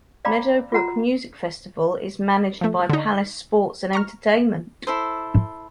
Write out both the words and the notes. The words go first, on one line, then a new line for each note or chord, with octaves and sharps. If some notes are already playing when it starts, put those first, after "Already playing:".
Meadow Brook Music Festival is managed by Palace Sports and Entertainment.
D5 F5 G5 A#5 B5 D6
F4 F#4 F#5 A#5
F3 A3
D3 D#4
A#5 C#6 F6
E4 A4 C5